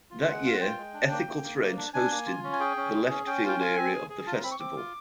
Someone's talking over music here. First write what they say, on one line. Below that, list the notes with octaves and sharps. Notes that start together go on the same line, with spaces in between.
That year, Ethical Threads hosted The Left Field area of the festival.
F4
G#3 F#5
F4 F5
F#5
F4 G5
G#3
D4
A#3
A#3
A#3
A#3
D4
D4 G#5
A#3
F4
C#4
G#5
G#4 G5
C#4
G#4
C#4
C#4 G5
F4
G5
F4 G#5
C4
G#4
G#4
F4 A5
A#5
C4 B5
C#6
C4 D6
F4